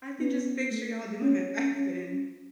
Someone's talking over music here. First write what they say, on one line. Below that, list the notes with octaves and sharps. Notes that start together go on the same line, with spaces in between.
I can just picture y'all doing that back then
B3
A3
C#4
C#4